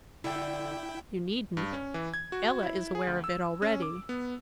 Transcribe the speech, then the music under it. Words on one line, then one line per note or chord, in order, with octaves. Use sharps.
"You needn't--Ella is aware of it already."
D3 E4 G5
G2
C#4
E3
G#6
F#4
E4
G#4
D2
E6
C#4
D6
B3